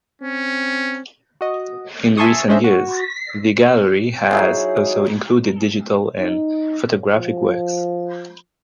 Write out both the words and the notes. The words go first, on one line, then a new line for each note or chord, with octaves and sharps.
In recent years the gallery has also included digital and photographic works.
C4 C#4
F#4 D#5
E5 G#5 A5 C6 C#6 D#6
G#3 C#4 D4 C5 D#5 E5
F#4
F#3 D#4 E4 G#4
D#4
F3